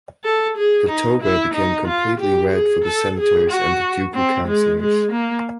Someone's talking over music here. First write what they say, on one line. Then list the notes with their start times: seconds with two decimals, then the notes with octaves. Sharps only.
The toga became completely red for the senators and the ducal councilors.
0.24 A4
0.57 G#4
0.89 D#4
1.22 E4
1.54 D#4
1.87 F4
2.20 G4
2.53 G#4
2.84 A4
3.18 G#4
3.50 F#4
4.14 C4
4.47 G#3
4.80 G#3
5.12 A#3